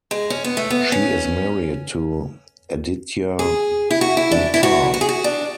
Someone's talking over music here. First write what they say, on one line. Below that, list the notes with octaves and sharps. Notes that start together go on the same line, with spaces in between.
She is married to Aditya Mittal.
G#3
C#4
B3
A3
B3
C#4
G#4
E4
F#4
E4
D4
E4
F#4
F#4
G#4
F#4
D4